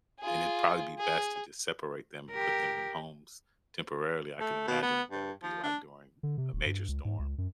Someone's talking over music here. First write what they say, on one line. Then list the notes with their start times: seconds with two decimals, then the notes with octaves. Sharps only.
and it'd probably be best to just separate them, and put them in homes temporarily, I can imagine what that would be like during a major storm.
0.20 F4 G#4
0.98 G#4
2.31 G4 A#4
4.40 A3
4.68 B2
4.82 B3
5.11 G2
5.43 F3
5.63 D4
6.23 D3
6.38 C3
6.53 D#1
6.66 G2
6.89 C#2
7.05 G#2
7.19 C#2
7.38 F#2